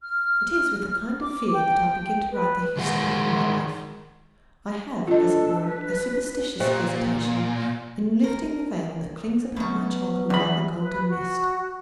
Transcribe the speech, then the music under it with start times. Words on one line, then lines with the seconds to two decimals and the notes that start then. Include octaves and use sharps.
It is with a kind of fear that I begin to write the history of my life. I have, as it were, a superstitious hesitation in lifting the veil that clings about my childhood like a golden mist.
0.01 F6
1.22 D6
1.52 G5
2.32 B4
2.77 D#3 G#3 G#4 F5 F#5
5.07 D4 F4 A4 D#5
5.66 B4
6.60 A#2 G4 C5 G5
8.24 A#4
9.56 B2 F#3 B3 C#4 A#5
10.30 E2 B5
10.81 B4
11.08 F#4